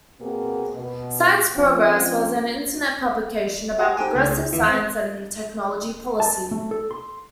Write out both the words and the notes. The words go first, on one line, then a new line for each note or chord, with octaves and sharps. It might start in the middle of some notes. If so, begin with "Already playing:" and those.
Science Progress was an internet publication about progressive science and technology policy.
B2 A#3 C4 F#4 G#4
B2
F3 C4 C#4 F4
F#4 G4 B4 F#5 G5 A#5
D#4 G4 A4 C5 G5 G#5
C#2 A3
F4 G#4
D#2 E3 E5
B3 C4
A5
A3
A4
C6